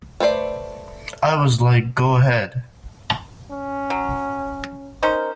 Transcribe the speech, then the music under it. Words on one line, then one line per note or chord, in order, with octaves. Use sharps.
I was like, 'Go ahead.
A3 B4 C5 D5
C#4
F#3
C#4 D#4 A#4 C5